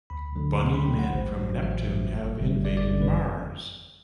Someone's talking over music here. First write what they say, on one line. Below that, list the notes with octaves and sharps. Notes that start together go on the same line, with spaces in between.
Bunny men from Neptune have invaded Mars!
D2 B5
D3 F#3 A3
D2 C6
B5
D3 F#3 A3 G5
F#5
A1 C5
A2 F#3
A1 E5
A2 F#3
G1
F#2 D3 G3
G1 D5
D5
F#2 D3 G3
B4